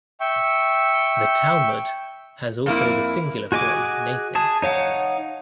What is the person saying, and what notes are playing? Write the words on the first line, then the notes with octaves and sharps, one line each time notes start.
The Talmud has also the singular form Nathin.
E5 G5 C#6
F2 A#3 E4
F#4 G#4 D#5 G#5 D6
G#4 A5 D#6
D#4 C#5 F5 F#5